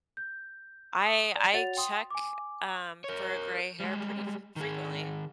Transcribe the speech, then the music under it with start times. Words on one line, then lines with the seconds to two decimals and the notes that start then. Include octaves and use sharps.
I I check, um, for a gray hair pretty fre frequently.
0.17 G6
1.02 D#6
1.35 D5
1.54 F#4 C#5 F#5 A6 F7
1.77 G5 C6 D#6
2.10 G#5 D6
3.04 A#4 C#5
3.80 G3 G#3
4.56 D#3 G#4